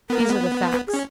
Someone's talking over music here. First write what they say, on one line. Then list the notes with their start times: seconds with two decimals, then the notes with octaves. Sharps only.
These are the facts.
0.10 B3 A#4
0.20 A#3
0.30 B3
0.72 B4
0.87 G#4
0.94 C#4